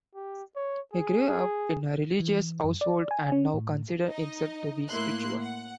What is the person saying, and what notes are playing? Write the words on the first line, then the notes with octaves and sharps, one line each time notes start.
He grew up in a religious household and now considers himself to be spiritual.
G4
C#5
G#4
G#4
E3
F#2
D5
G#5
C#4
A2
D#4 D#5
A2 A#3 E4 C6 F#6
F#5